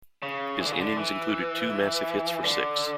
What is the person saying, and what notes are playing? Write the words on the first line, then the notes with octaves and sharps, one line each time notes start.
His innings included two massive hits for six.
C#3
E3
D3
C#3
D3
E3
D3